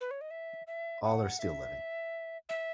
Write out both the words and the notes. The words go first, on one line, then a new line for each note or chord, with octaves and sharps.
All are still living.
B4
C#5
D#5
E5
E5
F#5
E5
E5